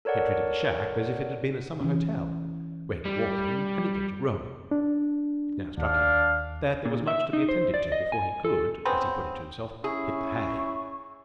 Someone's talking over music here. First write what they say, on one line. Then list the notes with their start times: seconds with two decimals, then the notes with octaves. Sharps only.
He had treated the shack as if it had been a summer hotel, where he could walk in and engage a room. It now struck him that there was much to be attended to before he could, as he put it to himself, hit the hay.
0.05 A4 A#4 C#5 D5 F#5
1.81 E3 C#4
3.05 G3
4.71 D4
5.78 D#2 D4 F5
6.85 A#2
7.07 E5
7.33 D#4
7.49 C5
7.74 D5
7.92 D#5
8.12 G#5
8.45 A4
8.85 C#3 B3 C4
9.84 C#4 E4 G#4 C#6